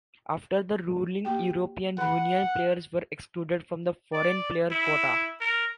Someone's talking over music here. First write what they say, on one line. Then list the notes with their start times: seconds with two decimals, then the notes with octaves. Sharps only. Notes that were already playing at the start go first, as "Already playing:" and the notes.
After the ruling European Union players were excluded from the "foreign" player quota.
1.25 A#3 G4 G5
1.98 F3 F#5 B5
4.13 D5
4.71 E4
5.41 A#4